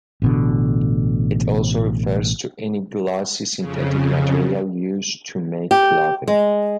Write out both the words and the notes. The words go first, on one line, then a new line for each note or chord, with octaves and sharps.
It also refers to any glossy synthetic material used to make clothing.
A1 B2 D3
F2 C#3
G4
G#3